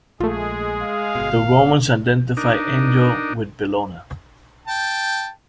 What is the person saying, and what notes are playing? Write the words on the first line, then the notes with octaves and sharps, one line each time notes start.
The Romans identified Enyo with Bellona.
A#1 G#3 A3 F4 G#4
F5
G1 B2
D4 D#4 A#4
G5 A5